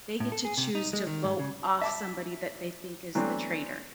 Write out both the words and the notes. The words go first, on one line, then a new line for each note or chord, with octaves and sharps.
they get to choose to vote off somebody that they think is the traitor.
A2
A4
G#4
C3
D#4
G#3
D#3
G#2
C#3
E5 A5 D6
E3 F#3 A3 B3 C4 D4